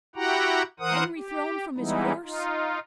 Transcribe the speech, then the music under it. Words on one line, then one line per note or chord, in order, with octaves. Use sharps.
Henry thrown from his horse?
E4 F#4 G4 F#5 G5 A#5
E3 A#4 C5 F#5 D#6
G4
E3 G3 G#3 B3 D#4 E4
D#4 F4